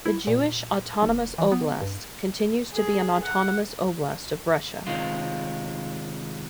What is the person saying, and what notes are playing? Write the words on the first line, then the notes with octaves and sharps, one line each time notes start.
The Jewish Autonomous Oblast continues to be an Autonomous Oblast of Russia.
E4
A#2
F1
E3
B3
G2
G#4
F#5
C3 D#3 G#3 F4